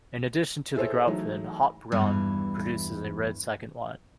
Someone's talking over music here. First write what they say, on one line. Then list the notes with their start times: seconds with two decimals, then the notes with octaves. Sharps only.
In addition to the "grand vin", Haut-Brion produces a red second wine.
0.76 E4 G#4 A4 C5 C#5
1.07 E3 F#3 G#3 A3 D#4
1.92 E2 G2 E3